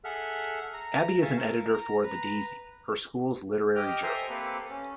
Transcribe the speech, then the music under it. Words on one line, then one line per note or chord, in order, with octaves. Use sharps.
Abby is an editor for "The Daisy", her school's literary journal.
G#4 A4 E5 F#5 F6
A#5
E5 F5 G#5 A5 C#6
A#4
A#5
B4 A#5
G4 D#5 G5 F6
A4 C5 E5 G5 G#5 A#5
A#3 C4 G4 A4 B4
C#4